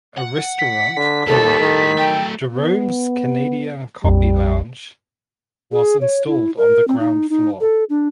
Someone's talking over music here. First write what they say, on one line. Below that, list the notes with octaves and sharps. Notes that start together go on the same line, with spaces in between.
A restaurant called "Gerome’s Canadian Coffee Lounge" was installed on the ground floor.
F#5
B6
D3 B6
D#2 A2 G3 A4
D#3
F#3 A3 G5
B3
A#1 F2 G3
G#4
C#5
E4
A#4
C4
D#4
D#4
A4
D4